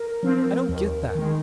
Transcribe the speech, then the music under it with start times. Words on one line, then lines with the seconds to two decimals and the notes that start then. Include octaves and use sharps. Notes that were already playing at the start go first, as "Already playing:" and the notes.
"I don't get that."
Already playing: A#4
0.23 F3 C4
0.69 D#2
1.15 D#3 G#3